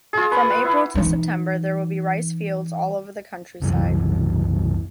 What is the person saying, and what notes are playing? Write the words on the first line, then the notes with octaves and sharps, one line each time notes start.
From April to September there will be rice fields all over the countryside.
F4 G#4
G#4 B4 C#6
F#5
E4
E3 D#4
C2 F#2 E3